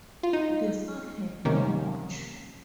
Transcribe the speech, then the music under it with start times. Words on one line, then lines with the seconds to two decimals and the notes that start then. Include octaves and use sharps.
The son had no watch.
0.23 F4
0.33 D#4
1.45 C3 D#3 A#3 C#4